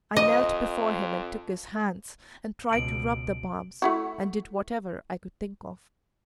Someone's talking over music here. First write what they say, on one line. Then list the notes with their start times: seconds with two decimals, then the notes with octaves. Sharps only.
I knelt before him and took his hands, and tried to rub the palms, and did whatever I could think of.
0.16 F2 D#5
2.69 C#2 B2 D7 F#7
3.82 A3 E4 F#4